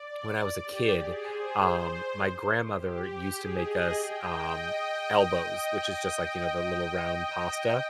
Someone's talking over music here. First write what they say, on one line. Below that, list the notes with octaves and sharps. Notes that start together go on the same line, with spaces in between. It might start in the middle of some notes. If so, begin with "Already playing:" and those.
when I was a kid, um, my grandmother used to make us, um, elbows which is just like, you know, the little round pasta,
Already playing: D5
G4
G#4
C5
G4
G4
G#4
D#5
G5
D#5